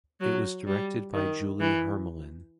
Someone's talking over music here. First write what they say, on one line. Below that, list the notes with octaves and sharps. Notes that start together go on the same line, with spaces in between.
It was directed by Julie Hermelin.
F#3
G3
D#3
E3